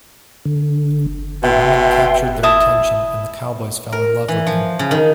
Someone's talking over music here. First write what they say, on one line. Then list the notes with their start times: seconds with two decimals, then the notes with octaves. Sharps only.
The women captured their attention, and the cowboys fell in love with them.
0.45 D3
1.43 B2 E5 G5 C6
2.43 E4 E5 A5 D#6
3.92 A#4
4.28 E3
4.47 F3
4.79 C#3
4.91 D#3